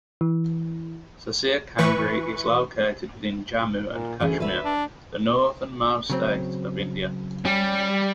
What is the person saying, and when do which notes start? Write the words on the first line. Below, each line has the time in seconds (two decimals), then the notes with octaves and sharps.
Sasir Kangri is located within Jammu and Kashmir, the northernmost state of India.
0.21 E3
1.78 E3 B4 C#6
3.88 A#2
4.20 D2 E3 C#4 G#4
4.40 B4 E5
4.64 D4
6.10 C#3 F#3 C4
7.45 G3 C#4 G4